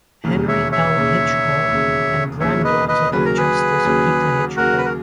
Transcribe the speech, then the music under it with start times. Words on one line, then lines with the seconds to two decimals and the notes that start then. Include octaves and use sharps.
Henry L. Hitchcock and granddaughter of Justice Peter Hitchcock.
0.24 E1 D#2 C#3
0.48 C#5 E5
0.72 C#5 E5
0.96 E1 D#2 C#3
1.68 E1 D#2 C#3
2.40 E1 D#2 C#3 C#5 E5
2.64 B4 D#5
2.88 B4 D#5
3.12 D#2 C#3 F#3 B4
3.25 A#4
3.37 G#4 B4
3.85 D#2 C#3 F#3
4.57 D#2 C#3 F#3 F#4 A#4
4.78 B4
4.85 A#4